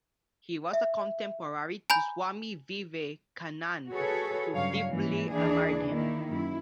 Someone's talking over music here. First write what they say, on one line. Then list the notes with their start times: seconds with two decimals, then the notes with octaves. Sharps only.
He was a contemporary to Swami Vivekanand, who deeply admired him.
0.73 E5
1.90 G#5 A#5 B5 G6
3.91 F#4 G#4 A4 B4 C#5
4.53 G2 C#3 F#3 C#5 F5
4.87 G#2 E3 A#3 C#4
5.29 D#2 E3 D4 G#4
5.87 D#3 A#3 E4
6.29 F#2 E4